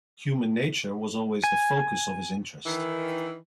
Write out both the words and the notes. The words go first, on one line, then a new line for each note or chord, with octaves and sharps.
Human nature was always the focus of his interest.
G#5
D#3 E3